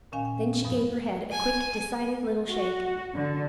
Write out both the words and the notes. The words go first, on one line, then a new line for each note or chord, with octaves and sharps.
Then she gave her head a quick decided little shake.
A#2 D#3 C#4 F5 G#5
G5
E2 G2 B2 F3
G#5
F#4
D3